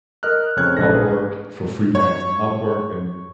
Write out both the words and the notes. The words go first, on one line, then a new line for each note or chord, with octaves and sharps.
Upwork for freelancing Upwork and
A#4 D#5 F6 F#6
F2 C#3 C4 C#5 F#6 G#6
A#1 G#2 C#3 A4 C5 A#6
D4 G#4 B4
C#5